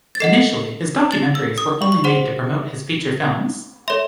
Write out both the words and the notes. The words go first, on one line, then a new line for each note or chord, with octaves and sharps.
Initially, his documentaries were only made to promote his feature films.
A6
A4 D#5 F#5 C7
A6
E6
D#6
C#6
C#6
G#4 C5 F#5 C6
A4 C#5 E5 C6